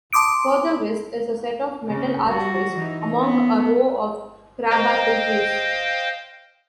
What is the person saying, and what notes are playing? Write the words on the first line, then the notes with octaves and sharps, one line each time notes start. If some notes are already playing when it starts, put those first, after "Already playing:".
Further west, is a set of metal archways among a row of crabapple trees.
A5 C6 D6 D#6 D7
C#3 A#3
G3 F#4
E3 D#4
B3
C5 D#5 F5 G5